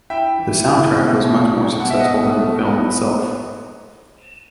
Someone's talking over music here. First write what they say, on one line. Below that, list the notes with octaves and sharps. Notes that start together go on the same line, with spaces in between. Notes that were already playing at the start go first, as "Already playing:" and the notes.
That soundtrack was much more successful than the film itself.
E4 E5 G5
E3
E4
B2
B2
B2
B2 F#5
E5
D#5 F#5
B2
A3
B3